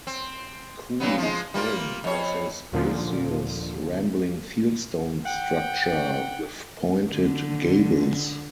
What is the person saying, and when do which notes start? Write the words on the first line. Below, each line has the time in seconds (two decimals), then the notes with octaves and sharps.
Cooley's home was a spacious, rambling fieldstone structure, with pointed gables.
0.07 C4
1.00 G2 F#3 B3
1.18 F3 G#3
1.54 G3 A#3 F4
2.04 F2 C#5
2.72 D#2 A#2 D3 F3
5.24 F#5 G5
7.09 D3